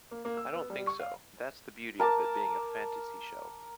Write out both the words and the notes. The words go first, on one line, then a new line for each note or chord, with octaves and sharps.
I don't think so...That's the beauty of it being a fantasy show.
A#3
A#3
E6
B3
G3
C#6
F5
A#4 A5 D6